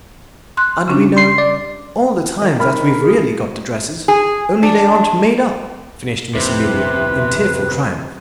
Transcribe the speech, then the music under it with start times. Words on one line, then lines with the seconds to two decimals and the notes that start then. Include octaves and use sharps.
"And we know all the time that we've really got the dresses, only they aren't made up!" finished Miss Amelia, in tearful triumph.
0.57 C6 F#6
0.88 C#3 C#4 D4
1.17 C6 C7
1.38 D5
2.42 D#3
2.59 A#4 B5 F6
3.01 G#4
4.08 G#4
4.63 D4
6.35 D1 F2 C3 D#3 B4